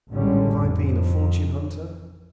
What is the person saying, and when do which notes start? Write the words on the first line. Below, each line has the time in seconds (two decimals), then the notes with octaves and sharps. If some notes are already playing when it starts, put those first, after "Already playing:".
Have I been a fortune hunter?
0.10 A1 G#2 D3 G3 C#4
0.60 F2